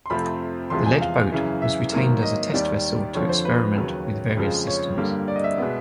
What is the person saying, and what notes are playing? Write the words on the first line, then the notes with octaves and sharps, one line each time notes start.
The lead boat was retained as a test vessel to experiment with various systems.
C6
F2 C3 F3 A3 C4 B5
E2 C3 F3 G#3 C6
G#5
F5
F#2 C#3 E3
E5
G#2 D#3 F#3 A#3
D#5
D#2 D#3 G3 D5
F2 D3 F3 C#5
C5
B4
D#2 C#3 F#3
F2 C#3 F3 G#3
C#5
G2 D3 G3 A#3
D5
D#5
E5
B2 G#3 B3